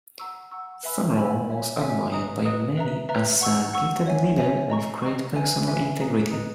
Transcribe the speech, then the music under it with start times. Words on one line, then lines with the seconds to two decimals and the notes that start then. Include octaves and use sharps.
Summerall was admired by many as a gifted leader with great personal integrity.
0.19 F#5 A#5 C#6 E6
0.51 F#5 A#5 C#6 E6
0.83 B4 E5 G#5 B5 E6
1.15 B4 E5 G#5 B5 E6
1.47 C#5 E5 G#5
1.80 C#5 E5 G#5
2.12 B4 D#5 A#5 D#6
2.45 B4 D#5 A#5 D#6
2.77 B4 E5 A#5
3.09 B4 E5 A#5
3.41 F#5 C#6 E6
3.73 F#5 C#6 E6
4.06 C#5 E5 G#5
4.38 C#5 E5 G#5
4.70 D#5 A#5 C#6
5.02 D#5 A#5 C#6
5.34 B4 E5 G#5
5.67 B4 E5 G#5
6.00 B4 D#5 A#5 D#6
6.31 B4 D#5 A#5 D#6